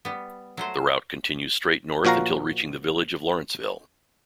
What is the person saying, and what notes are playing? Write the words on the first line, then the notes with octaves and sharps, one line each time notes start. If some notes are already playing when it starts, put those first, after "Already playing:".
The route continues straight north until reaching the village of Lawrenceville.
G3 B3
F#3 A3 C5
A#2 F3 F#4 F5 A#5